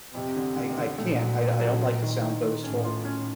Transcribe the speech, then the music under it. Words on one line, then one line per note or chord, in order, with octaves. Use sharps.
I I can't, I I don't like to sound boastful
F2 C3
D3
D3
D3
A#2 A3
F#3
F#3
F#3
F4
D#3
D#3
D#3
A2 C#4
F4
C#4